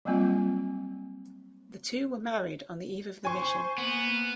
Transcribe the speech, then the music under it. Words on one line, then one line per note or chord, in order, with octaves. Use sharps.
The two were married on the eve of the mission.
F#3 G3 A#3 C4 F4
C5 G#5 C#6
A#3 B3